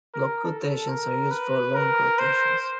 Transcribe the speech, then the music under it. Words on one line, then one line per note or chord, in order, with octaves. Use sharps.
Block quotations are used for long quotations.
A#4
A4
A#4
B4
A#4
C5